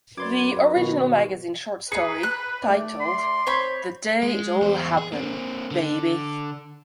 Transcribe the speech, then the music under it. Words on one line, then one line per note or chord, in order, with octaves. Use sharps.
The original magazine short story, titled The Day It All Happened, Baby!
F#2 B4 D5 C6 D6 G#6
B2 D#3 F#4
G#4 B4 A#5 C7 C#7
F#6
A3 D5
C6
C4 C5 C#5 B5
G#3
E2 C5
G#4
A#3 C4
D3